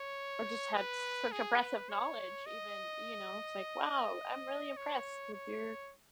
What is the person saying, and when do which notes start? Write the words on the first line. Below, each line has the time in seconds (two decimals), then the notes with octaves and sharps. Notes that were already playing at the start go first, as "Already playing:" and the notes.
Or just had such impressive knowledge even, you know, it's like, "Wow, I'm really impressed with your
Already playing: C#5
0.74 B4
1.32 G#4
1.60 B4
1.90 C#5
2.46 D#5
4.77 C#5
5.33 C#5